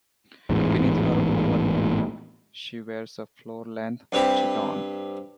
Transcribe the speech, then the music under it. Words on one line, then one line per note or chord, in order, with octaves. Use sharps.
Beneath her overtunic she wears a floor-length "chiton".
A1 E2 G#2
G2 C4 G4 B5